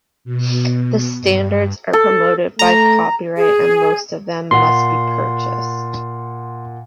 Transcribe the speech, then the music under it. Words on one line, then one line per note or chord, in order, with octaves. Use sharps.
The standards are protected by copyright and most of them must be purchased.
B2
G2
A4
A3 A#5
G#4
A#2 F#5 C6